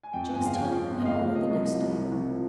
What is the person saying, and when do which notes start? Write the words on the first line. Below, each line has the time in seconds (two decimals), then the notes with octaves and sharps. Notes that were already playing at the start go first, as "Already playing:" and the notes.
Jack's time came only the next day.
0.03 G#5
0.13 F2 G5
0.29 G1
0.34 G#5
0.44 C#3 F5
0.54 G5
0.59 F3
0.74 F2 G5
0.90 G1
1.00 D#5
1.05 C#3 F5
1.21 F3
1.35 C3 D#5
1.51 C2
1.66 F3
1.81 C2
1.97 C3
2.12 C2
2.27 F3